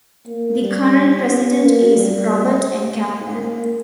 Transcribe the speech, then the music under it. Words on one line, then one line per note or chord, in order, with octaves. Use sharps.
The current president is Robert N. Kaplan.
A#3
G3
B3
A#3
G3
A#3